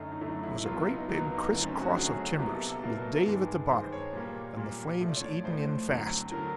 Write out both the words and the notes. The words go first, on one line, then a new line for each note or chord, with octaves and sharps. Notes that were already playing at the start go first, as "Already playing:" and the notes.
It was a great big criss-cross of timbers, with Dave at the bottom, and the flames eating in fast.
Already playing: F#2 D3 F#3 A3 D#4
D#4
F#2 D3 F#3 A3 E4
E4
E4
C#2 B2 F#3 A#3 F4
E4
D#4
C#2 B2 F#3 A#3 D#4
D#4
D#4
F#2 D3 F#3 A3 D#4
C4
C#4
F#4
F#2 D3 F#3 A3 G#4
C2 B2 F#3 A#3 G4
A4
A4
C2 B2 F#3 A#3 A#4
G2 D#3 G#3
G2 D#3 G#3 C5
C#5
A#2 G3 A#3
A#2 G3 A#3
A2 F3 A3
D5
C#5
D5
A2 F3 A3 C5
F2 D3 F#3
D3 F#3 A#4